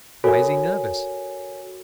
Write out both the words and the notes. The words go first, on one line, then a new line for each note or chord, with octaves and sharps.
Why is he nervous?
F#4 A4 A#4 C#5 G#5